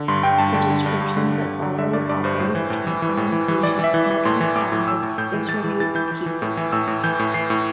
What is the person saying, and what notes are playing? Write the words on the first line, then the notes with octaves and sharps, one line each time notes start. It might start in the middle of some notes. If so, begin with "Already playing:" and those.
The descriptions that follow are based on the pronunciation of modern standard Israeli Hebrew.
Already playing: D3
G2 C6
G2 G5
G2 A5
D3 G5
D3
G2
G2
D3
G2
D3
D3
D3 E5
G2 D5
G2 D5
G2 C5
A2 C5
E3
A2
E3
E3
A2
E3
E3
E3 D5
E3
E5
E3
E5
E3
A2 C6
E3
A2 D6
A2
A2 E6
A2
A2 G6
E3
E3 A6
E3
E3 A6
E3 G6
E3
E3
A2
E3
A2 E6
A2
E3 G6
A2
E3 C7
A2